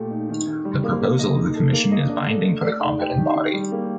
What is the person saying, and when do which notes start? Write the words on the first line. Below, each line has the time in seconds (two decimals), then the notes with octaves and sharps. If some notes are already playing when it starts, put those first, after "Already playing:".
The proposal of the commission is binding for the competent body.
Already playing: A#2 A3 G4
0.11 D#4
0.29 D#3
0.47 D#3
0.65 G3
0.83 A#3
1.01 A#3
1.19 D#5
1.36 D#4
1.55 A4
1.73 A#3
1.91 D#5
2.09 D4
2.28 A4
2.45 A3
2.64 D5
2.81 D#4
2.99 G4
3.18 D#3
3.35 D#3
3.54 G3
3.72 A#3